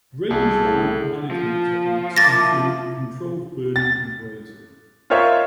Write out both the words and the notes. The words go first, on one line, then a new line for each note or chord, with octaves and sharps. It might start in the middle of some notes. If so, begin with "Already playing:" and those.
Rangeland management techniques include controlled burning and grazing.
C2 G#4 A4
A2
F3
A#3 E4 D6 A6 A#6
A6
F4 A#4 C5 C#5 D#5 E5